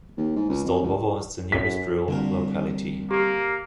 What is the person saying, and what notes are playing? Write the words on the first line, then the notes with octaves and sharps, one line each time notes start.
Stolbovo is the nearest rural locality.
D#2
G#2
C#2
F2
C#2
F#2 B6
C2 A#2 D3 A#4
A#3 G4